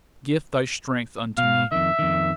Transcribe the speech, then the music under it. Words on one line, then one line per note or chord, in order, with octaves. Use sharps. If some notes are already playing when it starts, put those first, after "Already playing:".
Gift thy strength unto me.
B2 F5
F2 D#3 E5
F2 D#3